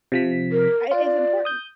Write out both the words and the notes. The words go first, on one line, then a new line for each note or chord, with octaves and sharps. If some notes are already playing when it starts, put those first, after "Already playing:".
I is important.
C3 F3 B6
A#4
F4 D5
D#6 G6